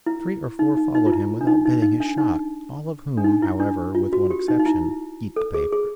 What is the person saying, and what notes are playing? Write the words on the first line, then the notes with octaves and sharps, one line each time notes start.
Three or four followed him without bettering his shot; all of whom, however, with one exception, "eat the paper."
E4
D#4
D#4
D#4
F4
E4
D4
D#4
D#4
D#4
D4
D#4
D4
D#4
E4
D4
F4
F#4
G4
D#4
D#4
E4
A4
G#4
G#4